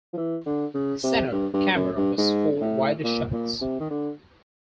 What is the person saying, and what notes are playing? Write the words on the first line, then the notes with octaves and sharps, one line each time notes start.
The center camera was for wider shots.
F3
E3
D3
C#3
C3
G2
G2
F#2
G2
G#2
A2
A#2
A#2
C3
D#3
D3